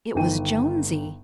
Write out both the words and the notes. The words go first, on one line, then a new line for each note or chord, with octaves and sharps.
It was Jonesy.
G1 D#3 D#4 G5 D#7